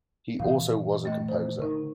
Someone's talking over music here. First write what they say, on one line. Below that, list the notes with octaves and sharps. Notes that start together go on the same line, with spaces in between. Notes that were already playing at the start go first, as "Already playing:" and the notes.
He also was a composer.
A#2 E3 F3 F5
A3 D#5
C5
D3 D#4 A#4